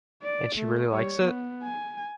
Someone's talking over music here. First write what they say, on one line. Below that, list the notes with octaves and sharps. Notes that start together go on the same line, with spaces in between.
And she really likes it?
D5
A3
G3 C#5
B3
G#5